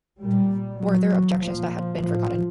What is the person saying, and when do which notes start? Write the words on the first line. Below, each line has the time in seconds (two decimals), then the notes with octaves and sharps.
Were there objections that had been forgotten?
0.20 A#2 G3
0.81 A#2 F#3
1.41 A#2 F3
2.01 A2 F3